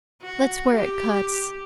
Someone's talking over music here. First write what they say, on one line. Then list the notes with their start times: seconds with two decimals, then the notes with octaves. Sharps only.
That's where it cuts.
0.22 F#4
0.75 G4